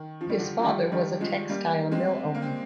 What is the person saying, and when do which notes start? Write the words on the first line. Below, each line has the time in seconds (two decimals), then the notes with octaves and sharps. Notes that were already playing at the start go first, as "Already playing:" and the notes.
His father was a textile mill owner.
Already playing: D#3
0.21 F3
0.30 G3
0.38 D3 F3
0.58 F3
0.63 D#3 G3
0.92 D#3 G3
1.20 F3 G#3
1.49 G3 A#3
1.91 G#3 C4
2.34 A#3
2.42 C4